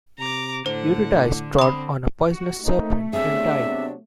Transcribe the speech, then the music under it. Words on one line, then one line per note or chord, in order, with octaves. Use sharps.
Eurydice trod on a poisonous serpent and died.
C3 A#5 D6
A2 D3 C5 F#5
C4 B5 D#6
F#4
A3 A#3 C4 D#4
C3 F#3 B3 C4 D4 G#4 E5